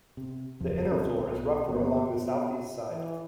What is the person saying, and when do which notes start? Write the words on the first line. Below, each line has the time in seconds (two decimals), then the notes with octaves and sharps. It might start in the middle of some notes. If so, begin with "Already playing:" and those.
The inner floor is rougher along the southeast side.
0.17 C3
0.60 F#1 E2 F3
0.90 D2 B2 C4 C#4
1.19 B1 B2
1.68 G1 A#3 B3
2.17 B2
2.88 E3